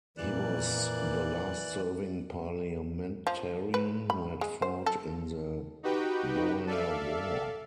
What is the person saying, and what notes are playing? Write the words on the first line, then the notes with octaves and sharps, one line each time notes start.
He was the last serving parliamentarian who had fought in the Boer War.
F2 A#2 E3 A#3 D5 F#6
F3
B4
B5
G#3
C5
A4
D#4 F#4 G4 B4 G5
A4 D5 E5 F5